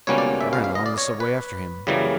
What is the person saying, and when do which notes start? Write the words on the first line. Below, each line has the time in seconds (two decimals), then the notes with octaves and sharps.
I ran along the subway after him.
0.07 C#2 B2 G3 A#3 C#4 C#5
0.18 D5
0.41 E5
0.53 F5
0.64 F5
0.75 D#5
0.86 D5
0.98 C#5
1.20 B4
1.87 F#2 C#3 E3 G3 A#3